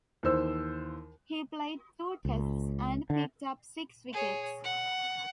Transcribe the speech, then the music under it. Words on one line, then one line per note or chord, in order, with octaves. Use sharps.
He played two tests and picked up six wickets.
D#2 E3 C5 E6
C#2
D3
G#4 C#5
F#5